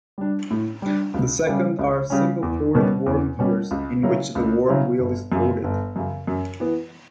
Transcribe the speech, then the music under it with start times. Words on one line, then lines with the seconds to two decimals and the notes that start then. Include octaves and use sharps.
The second are single-throated worm gears, in which the worm wheel is throated.
0.18 G3 D4
0.51 A2
0.82 G3 D4
1.14 C#2
1.47 C#3 G3 C#4
1.79 C#2
2.10 C#3 G3 C#4
2.43 E2
2.75 B2 G3 C#4
3.06 E2
3.39 B2 G3 C#4
3.71 C#2
4.03 C#3 F#3 C#4 E4
4.35 C#2
4.67 C#3 F#3 C#4 E4
4.99 G1
5.32 F#2 C#3
5.64 G1
5.96 F#2 C#3
6.27 F#2
6.60 E3 B3